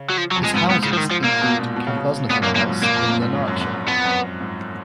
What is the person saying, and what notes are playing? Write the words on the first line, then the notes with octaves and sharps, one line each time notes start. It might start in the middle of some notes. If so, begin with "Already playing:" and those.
His houses include Cambusnethan House in Lanarkshire.
Already playing: C#3
F#3
F3
F#3
F2
G#3
G#2 B3
G#2 B3
C#3
F3
D#3
F3
A#2 A#3
B2
A#2
B2
C#3
B2
A#2 B3
F#2 A#3
F#2 A#3
G#2
A#2 A#3
F2
F#2
G#2
F#2
F#2
F#2
F#2
F2 B3
F#2
G#2